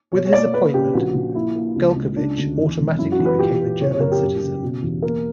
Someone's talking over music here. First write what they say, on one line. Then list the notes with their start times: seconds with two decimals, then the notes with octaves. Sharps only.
With his appointment, Gulkowitsch automatically became a German citizen.
0.12 B2 C#5
0.26 C#5
0.33 A#3 D5
0.53 A#3 B4
0.74 C#3 G4
0.94 A#1 F#4
1.14 A#1
1.35 A#3 E4
1.56 A#3
1.76 C#2
1.96 C#2
2.16 C#3 D4
2.37 D2
2.58 E2
2.78 E1
2.99 F#2 E4
3.12 F#4
3.19 E3
3.25 B4
3.39 A#2 G4
3.60 A#2
3.81 F#1 C#5
3.91 C#5
4.00 F#1 A#4
4.12 G4
4.21 F#2
4.42 C#3
4.63 B2
4.83 E2
5.02 A#3 A#4